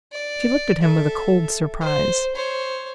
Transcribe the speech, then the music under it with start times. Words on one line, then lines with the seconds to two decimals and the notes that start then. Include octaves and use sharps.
She looked at him with a cold surprise.
0.12 D5
0.81 A4 E5
1.81 C5
2.36 C5 C#5